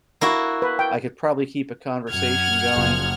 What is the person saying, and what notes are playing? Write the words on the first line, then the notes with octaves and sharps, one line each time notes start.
I could probably keep a conversation going,
A#3 E4 F#4
B4
G5
F#2 F#5 F6 G#6
F#1 F3